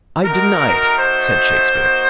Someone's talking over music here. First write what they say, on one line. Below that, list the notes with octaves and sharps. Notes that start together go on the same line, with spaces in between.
"I deny it," said Shakespeare.
A3 D#4 F#4 A#4
C5
A#3 D#4 F#4